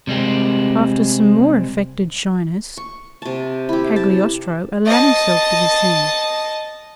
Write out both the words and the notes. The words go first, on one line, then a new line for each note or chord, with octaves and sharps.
After some more affected shyness, Cagliostro allowed himself to be seen.
C3 G3 G#3 C4
C#6
C3 A5
E4 G4
A5
D#5 A5